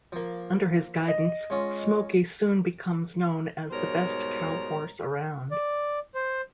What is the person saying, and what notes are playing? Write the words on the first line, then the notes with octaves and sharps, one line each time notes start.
Under his guidance, Smoky soon becomes known as the best cowhorse around.
F3 A#3
D#5
G#3 C#4 F4
G#2 B2 G3 A#4 C5 C#5
D5
C5